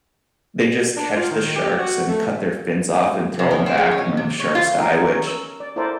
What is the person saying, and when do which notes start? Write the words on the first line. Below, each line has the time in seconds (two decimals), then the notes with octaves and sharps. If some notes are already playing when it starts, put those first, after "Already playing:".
they just catch the sharks and cut their fins off and throw 'em back, and then the sharks die, which
0.96 D4
1.16 F4
1.30 D#3
1.55 G4
1.77 F#4
2.08 A3
3.39 C3
3.51 D#3
3.66 C4
3.78 G#3
3.91 C#4
4.17 C3
4.40 C#5
4.55 F4
4.78 D#4 A#4 D#5
4.99 C#4 A#4
5.27 E6
5.60 D5
5.76 E4 A4 A#4 C5 D5